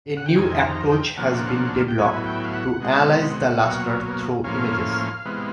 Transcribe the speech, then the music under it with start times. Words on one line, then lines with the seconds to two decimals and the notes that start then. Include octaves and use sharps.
A new approach has been developed to analyze the luster through images.
0.17 F#5
0.26 G5
0.36 F2 C3 D#3 G#5
0.55 A5
0.62 A#5
0.90 G5
1.17 C#3 F3 A#3 D4 F#5
1.88 G5
1.99 A2 F#3 B3 E4 G#5
2.26 G5
2.45 F5
2.53 F#5
2.80 B2 G#3 C4
3.63 B2 F#3 A#3
4.44 A2 F3 A#3 C#4 F5
5.25 C3 E3 G#3 B3